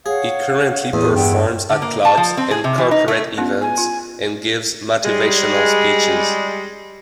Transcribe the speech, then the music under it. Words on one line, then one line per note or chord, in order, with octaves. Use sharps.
He currently performs at clubs and corporate events and gives motivational speeches.
G#4 C#5 F5 F#5
E2 A2 D#6
G2 E4 F#5 G5
D3
A#3
A5
F3
C4
G#4
C3
E3
D#4
A3
B3 C#4 F4
G#5
F4
G3 G#3